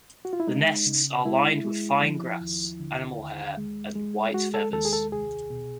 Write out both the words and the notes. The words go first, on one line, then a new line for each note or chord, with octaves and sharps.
The nests are lined with fine grass, animal hair and white feathers.
F#4
F4
E4
G#3 D#4
C#3
G#3 E4
G#3
F3
D#2
D3
D#2
G#3
G#3
G#3 F#4
A4
D#2 A4
G#4
A4
C2 G#4
B2